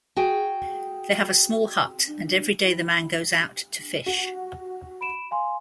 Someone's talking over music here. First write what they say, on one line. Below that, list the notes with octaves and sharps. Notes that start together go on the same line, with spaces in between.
They have a small hut, and every day the man goes out to fish.
F#4 G#4 G5
F#4
B5 D7 E7
F5 G#5 C6